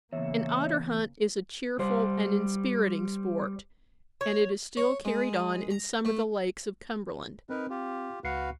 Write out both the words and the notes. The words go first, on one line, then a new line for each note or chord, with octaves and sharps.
An otter-hunt is a cheerful and inspiriting sport, and it is still carried on in some of the lakes of Cumberland.
E2 C#3 A#3 C#5 E5
G3 C5
C#5
C#5
G#3
A#5
A3
C4 D#4 A#4 B4
F4 G4
C#2 F#4 B4 F5 C7 C#7